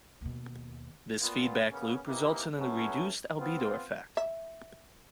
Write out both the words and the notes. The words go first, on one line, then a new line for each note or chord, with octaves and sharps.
This feedback loop results in a reduced albedo effect.
D#2 B2
A#2 B3 F4
C#3 A#3 B3 C#4
C3 E3 A#3 D#4 E4 G4
F#3 A3 B3 C#4
B3 C4 F4
E5